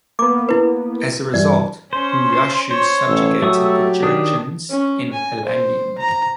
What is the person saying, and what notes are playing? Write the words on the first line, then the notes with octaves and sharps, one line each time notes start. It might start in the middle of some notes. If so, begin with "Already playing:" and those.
As a result, Wuyashu subjugated the Jurchens in Helandian.
A#3 B3 D6
E4 B4
G2 E3 D5
C#4 C5 C6
C5
C5 C#5 C6
A1 E6
F#3 A3 G4 C#6 D#6
D#3 D4 D#6
C#4
G#5
C5
A#5